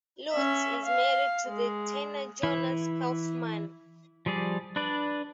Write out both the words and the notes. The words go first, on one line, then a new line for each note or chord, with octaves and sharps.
Lutz is married to the tenor Jonas Kaufmann.
C#4 E5
F5
G#3
E3 E4
F3 G3 G#4 D5
D4 B4 D5